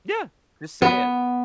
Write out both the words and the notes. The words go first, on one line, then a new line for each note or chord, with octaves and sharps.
Yeah. Just say it.
B3